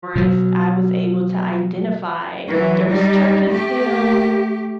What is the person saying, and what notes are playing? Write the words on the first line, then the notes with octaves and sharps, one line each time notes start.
forest, I was able to identify there was turkey tail
B2 F#3
E3 F#3
G3 D#4
A3 G4